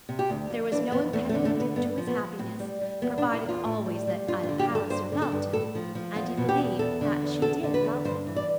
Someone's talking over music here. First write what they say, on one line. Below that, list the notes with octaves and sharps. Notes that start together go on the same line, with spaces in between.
There was no impediment to his happiness, provided always that Ida Palliser loved him; and he believed that she did love him.
C3
G4
D2
F2
E3 D4
F2 B3
E2 A3
A3
D3
A3
E2 B3
G2 B3
F3
B3
F3
A2 C4
G3
G3
E2 B3
D4
C3
E4
E2 F4
A2
G3
G3
G2 F4
F4
D3
G4
G2
A4
G2 C5
D3
A4
G2
A2 A4
F3
F3
E2 F4
B2
G4
E2
E2 A4
D3
E2
E2 A4
D3
B4
E2
G2 C5
E3
D5